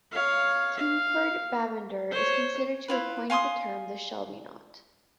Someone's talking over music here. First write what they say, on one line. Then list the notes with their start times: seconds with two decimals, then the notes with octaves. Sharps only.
Kingford Bavender is considered to have coined the term the "Shelby" knot.
0.11 C#5 F5
0.76 F5
2.11 C5 C#5
2.88 E4 F4 B4
3.30 F5 G#5 C6 D#6